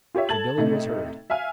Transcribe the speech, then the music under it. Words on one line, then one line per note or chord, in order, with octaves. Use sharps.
So Billy was herd.
F4 G4 C#5 E5
A4 A5 G#6 A6 F#7
A2 C3 A3 D#4
E5 F5 G#5 F6